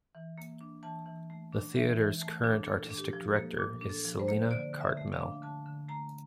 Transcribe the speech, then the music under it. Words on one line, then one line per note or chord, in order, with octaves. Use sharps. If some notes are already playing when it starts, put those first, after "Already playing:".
The theatre's current artistic director is Selina Cartmell.
E3
A#3
D4
E3 A5
E3
A3
D4
E3 E5
E3
A3
D4
A#2 A4
D4
G4
F3
A4
A#3
A#2
D4
A4
F3
C5
A#3
D3 D5
D3
E5
A3
F5
D4
D3 A5
D3
A3 A#5